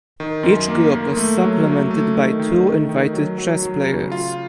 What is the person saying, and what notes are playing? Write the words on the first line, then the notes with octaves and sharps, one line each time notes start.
Each group was supplemented by two invited chess players.
D#3
F#2
A#3
A#3
A3
F#3
A3
A3
D#3
D#3
D#3
D#3
F#3
F#3
F#3
C#3
F4